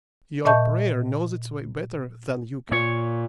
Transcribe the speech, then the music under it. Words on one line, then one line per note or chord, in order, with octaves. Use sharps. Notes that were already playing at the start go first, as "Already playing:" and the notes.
Your prayer knows its way better than you can.
A#2 D#5 E5 A5 C#6 G6
A#2 C#5